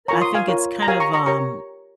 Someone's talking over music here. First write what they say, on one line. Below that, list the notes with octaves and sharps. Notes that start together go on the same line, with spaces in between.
I think it's kind of, um d
F4 A#4 C#5 A#5 C#6
C6 D#6
F5 G#5
F4 A#4 C#5
A#5
G4 A#4 C#5 F5 G#5
A#5 C#6
A#5 C#6
G4 A#4 C#5 A#5 C#6